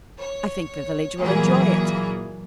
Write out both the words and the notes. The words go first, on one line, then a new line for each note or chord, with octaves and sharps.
"I think the village will enjoy it."
C#5
A#2 E3 F#3 A#3 G#4